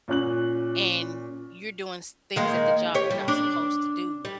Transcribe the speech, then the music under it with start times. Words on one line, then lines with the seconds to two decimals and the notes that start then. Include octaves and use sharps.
and you're doing s things at the job you're not supposed to do,
0.08 A#2 C#4 F#6 F#7
2.36 D#3 G#3 A#3
2.95 G4 C#5
3.11 G3
3.28 D4
4.25 G3